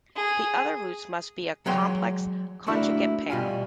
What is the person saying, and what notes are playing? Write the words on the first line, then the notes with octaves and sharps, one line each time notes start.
The other roots must be a complex conjugate pair.
G#4
F#3 G#3 C#5 F#5 G5 C6
A3 A#3 D4 E4 F#4
B2 G3 F4 G#5